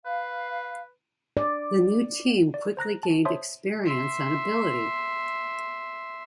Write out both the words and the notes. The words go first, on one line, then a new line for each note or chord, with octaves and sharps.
The new team quickly gained experience and ability.
B4 F5
D5
D5
C5 A#5 F#6 A#6
A5
C5 C#5 E5 A5 C6 D#6
E5 C6